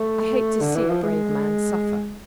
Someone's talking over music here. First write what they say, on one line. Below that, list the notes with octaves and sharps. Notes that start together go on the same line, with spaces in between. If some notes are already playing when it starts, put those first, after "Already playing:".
I hate to see a brave man suffer.
Already playing: A3
D3
E3
F3
G#3